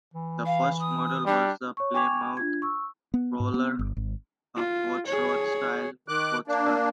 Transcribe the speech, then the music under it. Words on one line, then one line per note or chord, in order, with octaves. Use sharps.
The first model was the Plymouth Prowler, a hot rod-styled sports car.
E3
F5
D#6
G3 D4
C#5 C#6
G5 G#5 C#6 D6 G#6 F7
D4 F4 G#6
C#6 E6
B3
G#2
B3
G1
G#1
F4
G#4 C#5
D#3 D6 F#6
A#3 D4